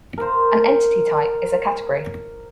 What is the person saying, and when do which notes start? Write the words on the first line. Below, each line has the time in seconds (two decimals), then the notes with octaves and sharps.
An entity-type is a category.
0.18 A#4 C5